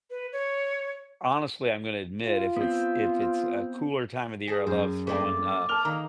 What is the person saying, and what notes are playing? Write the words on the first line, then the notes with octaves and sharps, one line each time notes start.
honestly, I'm gonna admit, if it's if it's a cooler time of the year, I love throwing uh,
B4
C#5
F4
B3 C4
G#4 A5
F#2 C5
A3 A#3 C4 D5
A#4 A5 F6 F7 G7
D#3 A#3 A#5